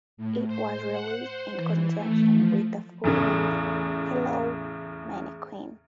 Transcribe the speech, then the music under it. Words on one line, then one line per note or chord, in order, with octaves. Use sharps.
It was released in conjunction with the full-length "Hello, Mannequin".
A2
C5
F#5
C5
E3
A3
F3
E2 A2 C#3